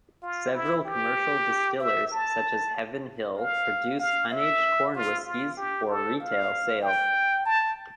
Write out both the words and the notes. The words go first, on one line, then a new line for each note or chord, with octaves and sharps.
Several commercial distillers such as Heaven Hill produce unaged corn whiskeys for retail sale.
F4
E4
G4
E5
A5
F5
F5
E5
F4
F4
G4
A4
F5
G5
A5